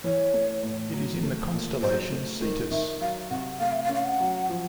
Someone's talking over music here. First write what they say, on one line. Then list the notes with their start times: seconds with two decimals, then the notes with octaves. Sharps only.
It is in the constellation Cetus.
0.04 E3 C#5
0.33 A3
0.63 A2
0.93 F#3
1.23 A3
1.52 A#2
1.82 F#3 C5
2.12 A3
2.41 D#3
2.71 D#3 E5
3.01 F#3 F5
3.30 C3 F#5
3.60 A3 F5
3.72 E5
3.83 F5
3.89 C#4
3.95 F5
4.04 F#5
4.20 F#3
4.49 F3